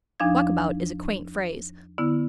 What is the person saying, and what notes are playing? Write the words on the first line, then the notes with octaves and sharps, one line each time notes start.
Walk about is a quaint phrase.
E2 F3 D4 D#4 F5 G#6
D3 B3 E4